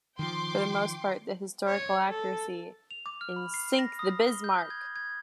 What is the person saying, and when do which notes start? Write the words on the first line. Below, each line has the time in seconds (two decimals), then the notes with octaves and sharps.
For the most part, the historical accuracy in Sink the Bismarck!
0.19 D#3 F3 G5 C6 D6
1.66 C#5
2.10 A4
2.91 F7
3.06 D6
3.21 F6
3.36 B5
3.54 C7
3.79 A#6
3.99 D#6
4.24 G7
4.44 G6
4.70 G#6
4.96 G#6